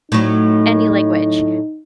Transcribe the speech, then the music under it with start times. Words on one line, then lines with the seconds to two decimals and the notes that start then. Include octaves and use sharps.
any language,
0.12 A2 F#3 D#4